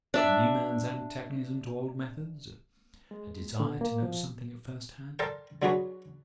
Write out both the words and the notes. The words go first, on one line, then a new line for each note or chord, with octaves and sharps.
A new man's antagonism to old methods. A desire to know something at first hand.
D4 E5
G#3
D3
A#3
F3
A4 A#4 C5 D5 G5
D3 F#3 D4 F#4 G#4 B4